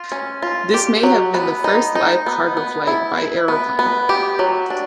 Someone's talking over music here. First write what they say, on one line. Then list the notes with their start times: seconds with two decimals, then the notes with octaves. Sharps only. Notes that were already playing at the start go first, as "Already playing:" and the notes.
This may have been the first live cargo flight by aeroplane.
Already playing: F4
0.12 C#4
0.42 F4
0.74 G4
1.03 F#3
1.34 B3
1.64 D#4
1.95 D#4
2.26 B3
2.57 B3
2.87 E4
3.18 E4
3.48 B3
3.79 B3
4.09 G4
4.39 F#3
4.70 D4